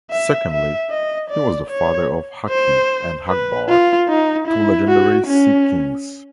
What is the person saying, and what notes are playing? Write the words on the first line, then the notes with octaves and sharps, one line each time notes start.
Secondly, he was the father of Haki and Hagbard, two legendary sea-kings.
E5
E5
D#5
D5
C#5
C5
B4
F4
D#4
E4
F#4
C#4